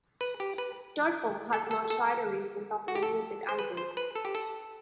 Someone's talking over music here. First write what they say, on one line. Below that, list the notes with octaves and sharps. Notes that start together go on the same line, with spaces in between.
Terfel has not shied away from popular music either.
B4
G4
B4
A4
A4
A4
F#4
G4
A4
C5
B4
C5
B4
A4
G4
A4